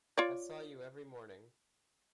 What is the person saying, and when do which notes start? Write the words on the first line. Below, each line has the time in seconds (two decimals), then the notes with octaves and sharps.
I saw you every morning.
0.17 F4 C#5 D5